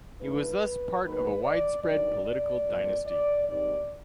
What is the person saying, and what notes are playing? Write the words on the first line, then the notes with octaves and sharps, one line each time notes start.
He was thus part of a widespread political dynasty.
G#2 F3 A3 D4 B4
G#2 D#3 F#3 A#3 D#4 B4
D5
G2 D#3 F#3 D5
D5
F2 D3 F3 A#3
D5
G#2 D#3 G3 C4 D#4 D5